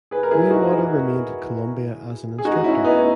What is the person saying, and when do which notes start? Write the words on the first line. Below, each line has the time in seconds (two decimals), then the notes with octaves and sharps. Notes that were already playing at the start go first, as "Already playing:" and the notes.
Rainwater remained at Columbia as an instructor.
0.11 G#4 B4
0.23 A#4
0.31 E4 G#4
0.51 D#4 F#4
0.70 E4 G#4
2.38 G#4
2.45 D#4 F#4
2.64 C#4 E4
2.84 B3 D#4